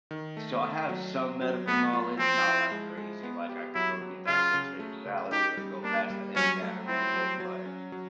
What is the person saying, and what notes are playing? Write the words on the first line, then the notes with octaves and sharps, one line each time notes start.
so, I have some medical knowledge not like crazy, like, I could go get that six-figure salary or go past the MCAT or anything, but
D#3
A3
A3
F#3
C4
F#3
A3 B3
F4
F3 C4
E4
G#3
G#3
B3
G4
F#3 E4
F#3
C#3 F4
C#3
A3
C#3
D#4 G4
G3
A#3 D4
G3
F#3 C#4
A3
C4 E4
F#3
F#3
C#4
F#3